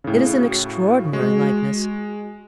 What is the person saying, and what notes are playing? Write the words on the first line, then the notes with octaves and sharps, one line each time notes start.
It is an extraordinary likeness.
A2 C#3
F#4
G#3